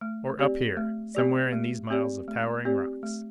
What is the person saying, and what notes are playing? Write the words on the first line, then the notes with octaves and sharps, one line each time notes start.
Or up here, somewhere in these miles of towering rocks?
A3
C4 G4 D5
A3
C4 G4 D5
A3
C4 G4 D5
A3
C4 G4 D5
A3